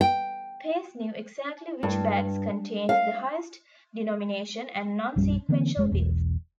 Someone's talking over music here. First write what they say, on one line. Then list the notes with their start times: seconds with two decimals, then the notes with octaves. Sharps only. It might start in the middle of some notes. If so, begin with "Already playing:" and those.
Pace knew exactly which bags contained the highest denomination and non-sequential bills.
0.01 G5
1.83 G2
2.89 F5
5.16 A#1 F#2 G3 C#4
5.49 D3 E3 A#3 C4
5.77 F1 G#3
5.91 E1 B1 E2